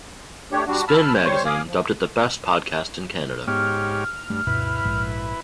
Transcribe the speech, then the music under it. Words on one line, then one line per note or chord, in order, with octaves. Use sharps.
"Spin" magazine dubbed it the best podcast in Canada.
A3 D4 G4 C#5
G3 D4 F#4
A5 B5 E6 F6
G3 C5 C#5 C6 C#6
F5 G#5 D6 D#6
F3
G#2 B3 G4 C#5 F6
G2 A3
D2 G2 B2 E4 B4
A#1 G#2